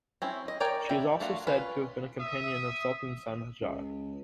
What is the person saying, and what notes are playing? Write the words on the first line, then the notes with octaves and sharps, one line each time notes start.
She is also said to have been a companion of Sultan Sanjar.
C4 C#4 E4
D#5
A#4 C#5 D5 G5 G#5
E4 G4 A#4
A3 D4 F4 F#4
C#4 F4 B4
E5 D#6
C#2